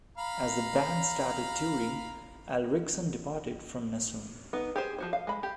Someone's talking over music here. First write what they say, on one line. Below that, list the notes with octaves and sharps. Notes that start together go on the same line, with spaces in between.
As the band started touring, Alriksson departed from Nasum.
F5 A#5 B5
B3 D#4
G4 G#4 C5
F3 F#4 C5
F5
G#3 B5
G4